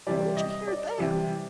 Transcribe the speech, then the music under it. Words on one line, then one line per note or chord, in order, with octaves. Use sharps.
"Where'd you hear that?"
C3 E3 G3 D5
D#5
D5
C3 E3 G3